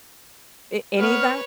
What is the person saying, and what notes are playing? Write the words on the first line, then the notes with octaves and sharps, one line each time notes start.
A any of that?
B3 B4 C#5 F6